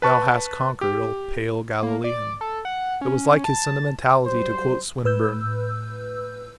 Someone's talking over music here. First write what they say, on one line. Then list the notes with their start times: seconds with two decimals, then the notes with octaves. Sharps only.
"Thou hast conquered, O pale Galilean." It was like his sentimentality to quote Swinburne.
0.02 B4 A5 C#6
0.81 G4
1.83 A#3
2.04 D5
2.41 A4
2.65 F#5
3.01 C#4
3.44 A5
4.25 F#3 G3 C5
5.04 A2 B4 E6 G6